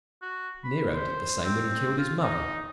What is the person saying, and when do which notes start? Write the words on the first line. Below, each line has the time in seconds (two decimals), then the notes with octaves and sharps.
Nero did the same when he killed his mother.
0.22 F#4
0.64 B5
0.93 C5
1.45 C4
1.98 F4
2.23 D#4